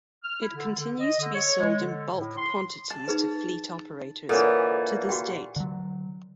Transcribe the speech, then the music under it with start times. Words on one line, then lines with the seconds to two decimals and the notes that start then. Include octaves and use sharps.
It continues to be sold in bulk quantities to fleet operators, to this date.
0.24 F6
0.42 E4
0.55 D3
0.78 D3
1.00 D#5
1.19 D3
1.34 C#5
1.60 G#3
1.80 D3
2.15 A2
2.37 C6
2.90 A5
3.08 D#4 G#4 B4
4.29 A#2 D3 E3 A4 C#5
5.09 F#4 G4 G5
5.56 D3 F#3